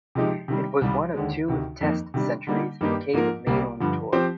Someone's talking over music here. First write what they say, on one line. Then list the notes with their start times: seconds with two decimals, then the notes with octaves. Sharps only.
It was one of two Test centuries McCabe made on the tour.
0.15 C3 F3 G#3 D#4 G4
0.48 C3 D#3 G3
0.81 C2 C3 D#3 G3
1.14 D#2 D3 G#3
1.48 D2 C3 D#3
1.81 F2 D#3 A#3 D#4
2.14 C3 D#3 G3 D4
2.47 D3 G3 A#3 D#4
2.81 G2 D#3 A#3 D#4 G4
3.13 G#2 F3 A#3 F4 A#4
3.47 C2 C3 G3 A#3
3.80 G2 D3 F3
4.13 F3 C4 G4 C5